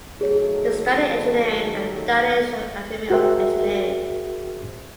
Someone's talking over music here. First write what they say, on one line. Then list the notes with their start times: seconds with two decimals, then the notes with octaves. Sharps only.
He studied engineering at the Danish Academy of Engineering.
0.21 D#3 F#3 A3 G#4 C#5
3.10 F#4 G#4 A#4 C5 E5 G5